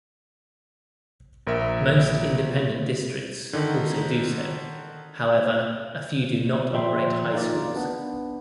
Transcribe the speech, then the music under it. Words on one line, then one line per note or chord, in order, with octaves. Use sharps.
Most independent districts also do so; however, a few do not operate high schools.
A#1 A#4 E5
D3 D#3 D#4
A#2 F3 E5 G5 C6
D#4 F4 A#4 D5
B3 D4